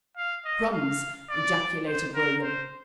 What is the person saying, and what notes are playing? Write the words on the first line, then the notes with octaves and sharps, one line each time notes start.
"Crumbs!" ejaculated William.
F5
D#5
F5
D5
C5
A#4
C5